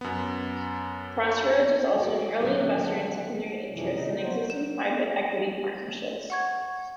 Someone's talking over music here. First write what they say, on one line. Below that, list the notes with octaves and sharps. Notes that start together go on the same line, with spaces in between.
Crossroads was also an early investor in secondary interests in existing private equity partnerships.
F#2 B3
G#3 F#4 A4
A#2 D3 D#3 F#3 A#3
C4 F#5 A5
F#2 C3 E3 F3
A#2 C#3 D#4
F#3 C5
E7
F#5 C#6 G#6